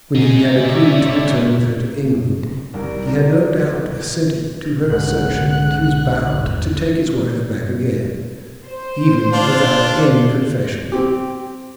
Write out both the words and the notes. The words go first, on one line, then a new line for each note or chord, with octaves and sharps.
When he had agreed to return with her to England he had no doubt assented to her assertion that he was bound to take his wife back again, even without any confession.
G#3 D#4
C#5 D5 E5
C2 D#3 G3 A#4
D4
C2 G#2 G#3 F#5 F#6
D3
G#1 E2 G#2
C5
D4 F4
C4 G4